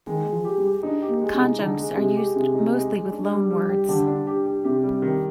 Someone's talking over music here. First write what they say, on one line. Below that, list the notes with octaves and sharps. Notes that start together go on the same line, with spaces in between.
Conjuncts are used mostly with loan words.
D#3 G#3
G#3
F3
G4
G3
G4
D4 D#4
G4
A#3
G#3
C3
D#4
D3 D#4
G#3
C3 G#3
G4
C3 G#3
D#4
G#3
G#3
D4
G3
G3
G4
D3 G4
D4
G4
G4
C3 G4
G3
D#3